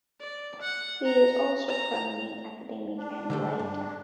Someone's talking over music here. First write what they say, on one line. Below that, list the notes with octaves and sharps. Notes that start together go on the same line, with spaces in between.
He is also prominent academic and writer.
D5
F#5
A#5
A#5
D4
D3 G3 A3
G2